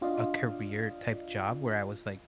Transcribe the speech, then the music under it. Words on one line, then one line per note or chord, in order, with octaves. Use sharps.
a career-type job where I was like,
D4 F4 D5 D#5 F5